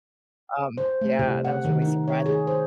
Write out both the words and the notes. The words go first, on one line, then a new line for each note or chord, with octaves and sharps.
um, yeah, that was really surprising.
C5
A3
C3
F#5
D#3
D#4
C#5
G#4
C5